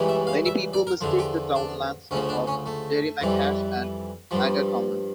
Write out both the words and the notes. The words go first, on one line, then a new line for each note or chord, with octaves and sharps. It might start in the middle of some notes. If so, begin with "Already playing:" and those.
Many people mistake the townlands of Derrymacash and Aghacommon.
Already playing: C#2 C#3 E3 G3
E5
F5
E5
D5
A#4
E2 D3 F3
G4
D4
D2 C#3 F3 C#4
D4
C#4
A3
F2 E3 G3
G2 F3 G3